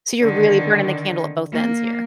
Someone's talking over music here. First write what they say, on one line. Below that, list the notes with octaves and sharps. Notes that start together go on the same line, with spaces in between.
so you're really burning the candle at both ends here.
D3 D#3
A#3